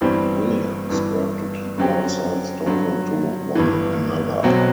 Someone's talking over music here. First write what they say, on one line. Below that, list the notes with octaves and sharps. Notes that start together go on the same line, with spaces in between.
Williams worked to keep all sides talking to one another.
G1 G2 E3 G3 C4
G1 G2 E3
F#2 D3 F#3 C4 G4
G2 D3 F#3
G1 G2 E3
B1 B2 F#3 C4 F#4